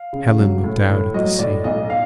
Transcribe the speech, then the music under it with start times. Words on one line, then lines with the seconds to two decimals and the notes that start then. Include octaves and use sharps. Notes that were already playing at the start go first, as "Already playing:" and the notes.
Helen looked out at the sea.
Already playing: F5
0.13 C#3
0.39 F#3
0.64 A2
0.90 A2
1.14 F#3 D#5
1.39 A2 D5
1.64 B1 D#5
1.90 F5